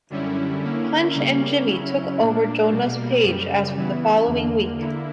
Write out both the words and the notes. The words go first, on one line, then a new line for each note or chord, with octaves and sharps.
Punch and Jimmy took over Jonah's page as from the following week.
F#2 D3 G3 C#4 E4
D3 A#3 C#4 E4
C#3 G3 A#3 C#4
C#3 F#3 C#4 E4
A#2 A#3 D4
B2 G3 A#3
F#2 C#3 G3
C#3 E3 B3 E4
E2 D3 A#3
D3 A#3 E4